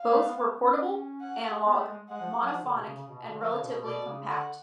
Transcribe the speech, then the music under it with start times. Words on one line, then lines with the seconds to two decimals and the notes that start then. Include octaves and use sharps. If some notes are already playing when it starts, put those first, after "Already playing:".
Both were portable, analog, monophonic, and relatively compact.
Already playing: F5
0.12 A3
0.24 B3
0.35 B3
0.56 C#4
1.21 F#5
1.66 B3
1.77 A3
1.87 G#3
2.09 G#3 F#5
2.21 F3
2.43 F#3
2.53 F3
2.64 D3
2.75 B2
2.86 C#3
2.96 C#3
3.08 B2
3.19 B2
3.29 D3
3.41 F3 F5
3.52 D3
3.62 B2
3.74 B2
3.84 B2 D5
4.06 C#3
4.28 D3 F#5